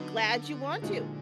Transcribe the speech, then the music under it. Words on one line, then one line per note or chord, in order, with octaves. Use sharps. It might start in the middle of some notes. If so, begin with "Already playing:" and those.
Glad you want to,
Already playing: D3 F#3 B3 D#4
A#2 F3 G#3 D#4 F#4